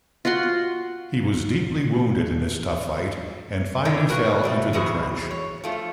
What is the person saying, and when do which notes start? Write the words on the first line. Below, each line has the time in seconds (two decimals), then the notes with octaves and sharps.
He was deeply wounded in this tough fight and finally fell into the trench.
0.25 F4 F#4 F#5 C6
3.85 D3 C4 D4 E4 C#5
4.09 A#3 F#4 A#4 B4
4.44 G3 A3 C4
4.73 F2 E3 C4 F#4 G#4
5.31 C#5
5.64 F3 A3 F4